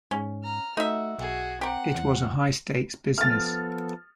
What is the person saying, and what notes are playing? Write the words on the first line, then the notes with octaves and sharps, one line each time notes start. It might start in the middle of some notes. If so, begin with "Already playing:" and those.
It was a high-stakes business.
G#2 C#4
A#5 F6
A3 D#4 F#4 E5
B1 F#4 G#4
C4 G4 A#4 F#5
E2
F3 B3 A4 F6 A6